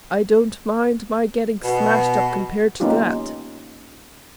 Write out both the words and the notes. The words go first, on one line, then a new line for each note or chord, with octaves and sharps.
I don't mind my getting smashed up compared to that.
B2
A#3 B3 C#4 D#4 F4 G4